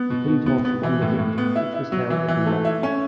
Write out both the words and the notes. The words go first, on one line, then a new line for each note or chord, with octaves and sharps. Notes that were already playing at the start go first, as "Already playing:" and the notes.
McIntosh won the vote, which was held in Malton.
Already playing: B3
B2
B2
B3
B3
E3
A2
A2
B3
E4
E4
F#3
E3
E3
A3
E4
C#4